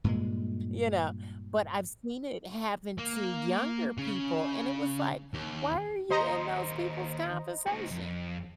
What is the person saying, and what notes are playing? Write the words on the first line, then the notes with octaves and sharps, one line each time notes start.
you know, but I've seen it happen to younger people, and it was like, "Why are you in those people's conversation?"
G2 A#2 G#3
A#3
C#3
D#2
D#2 C5 D#5 A#5 C6
C#2 F#4
F2